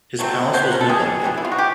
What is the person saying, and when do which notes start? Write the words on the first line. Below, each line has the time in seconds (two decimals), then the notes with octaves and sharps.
His palace was neglected.
0.19 B2 F#3 A3 C4
0.54 B2 F#3 C5
0.63 B4
0.72 A#4
0.81 A4
0.88 E3 G3 B3 G#4
1.24 E3 G3 B3
1.37 E4
1.45 F4
1.52 F#4
1.58 G4